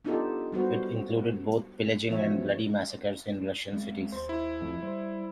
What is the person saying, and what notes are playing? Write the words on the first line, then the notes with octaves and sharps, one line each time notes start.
It included both pillaging and bloody massacres in Russian cities.
B3 D4 D#4 F4 G4 A4
G3 B3 F#4 C5
B2 E3 F3 B3 C#5 E5
G#3 C4
D#2 C5
E4
F2 A3
G3 C5